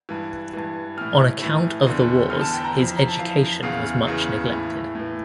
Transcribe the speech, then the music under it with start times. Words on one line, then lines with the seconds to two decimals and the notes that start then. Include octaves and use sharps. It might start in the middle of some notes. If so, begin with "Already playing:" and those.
On account of the wars his education was much neglected.
0.09 G2 E3
0.53 G2 E3
0.97 A2 E3 F6
1.41 A2 E3
1.86 E2 D3
2.30 E2 D3 F6
2.41 A5
2.53 G5
2.64 A#5
2.75 F2 E3
2.97 A#5
3.08 A5
3.19 F2 E3 F5
3.63 E2 C#3 E3 F5
4.07 E2 C#3 E3
4.51 A2 E3
4.95 A2 E3